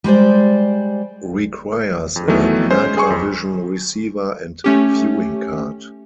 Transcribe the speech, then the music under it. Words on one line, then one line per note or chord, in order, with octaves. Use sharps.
Requires a Nagravision receiver and viewing card.
G3 G#3 C5 D5
F2
D#3 E3 F#3 A3 B3
G#3 C#4 C5
G#4 G#5 C6 C#6
F2
A3 C#4 G4